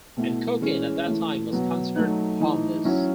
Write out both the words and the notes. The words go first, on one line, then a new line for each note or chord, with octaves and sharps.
And cocaine at that time was considered harmless.
B2 A3 E4
E3 G#3 C#4
E3 A3 E4
B2 F#3 B3
F#3 A3 D#4
E3 A3 D#4
F#3 C#4 E4